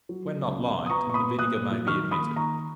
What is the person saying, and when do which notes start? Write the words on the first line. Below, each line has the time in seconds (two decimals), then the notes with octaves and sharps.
When not liked, the vinegar may be omitted.
0.09 F#3
0.25 F#3
0.42 C#2
0.58 B2
0.74 B2
0.86 D#6
0.90 B3 A#5 C#6
1.07 A#2 C#6
1.14 B5 D#6
1.23 B3
1.39 A#2 D#6 F#6
1.55 A#2
1.71 F#3
1.87 D#3 C#6 F6
2.03 D#3
2.11 B5 D#6
2.20 A#3
2.36 D#3 A#5 C#6